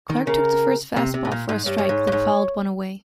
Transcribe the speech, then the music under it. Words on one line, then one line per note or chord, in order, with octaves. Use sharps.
Clark took the first fastball for a strike, then fouled one away.
D#3
C#3 A#4
C3
C3
G#2
A#2
G#2
G2 C#5
G2
G#2
G2
G#2